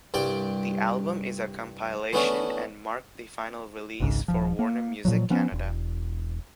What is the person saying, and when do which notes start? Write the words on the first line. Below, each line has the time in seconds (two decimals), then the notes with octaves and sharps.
The album is a compilation, and marked their final release for Warner Music Canada.
0.14 C2 G2 D5 G5
2.13 E3 A3 B3 C#4 D4 E4
4.00 G#1 C#2 G#2 C#3
4.28 D#1 G#1 F3
4.59 A#3
5.05 A#2 F3 F#3
5.30 F3 B3 C#4
5.52 E1